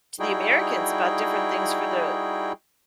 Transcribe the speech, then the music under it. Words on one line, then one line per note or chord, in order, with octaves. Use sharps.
to the Americans about different things for the
G3 D#4 E4 F#4 G#4 G5